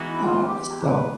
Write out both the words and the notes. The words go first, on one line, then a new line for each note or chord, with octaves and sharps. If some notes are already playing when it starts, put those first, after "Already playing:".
uh, so
Already playing: E3 G#3 B3 D#4 F#4
E4
F4
G4
G4
B4